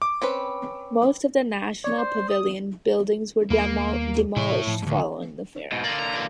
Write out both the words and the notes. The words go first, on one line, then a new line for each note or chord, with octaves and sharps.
Most of the national pavilion buildings were demolished following the fair.
D6
C4 C#4 B4
C#5 D5
C5
D#6
D#2 G3 A#3 B3
A2 C3 E3 E4 C#5
A2 F3
D2 G#2
G#2 B2
D3 A#3 D5 D#5
A#5
E3 F#3